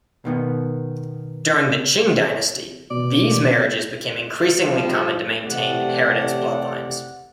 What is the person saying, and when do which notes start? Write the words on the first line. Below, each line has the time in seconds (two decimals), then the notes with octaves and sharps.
During the Qing dynasty, these marriages became increasingly common to maintain inheritance bloodlines.
0.25 B2 D#3 B3
2.91 B2 D5
4.64 B1 G2 F3
5.47 C3 E3 A3 G4 D5 F#5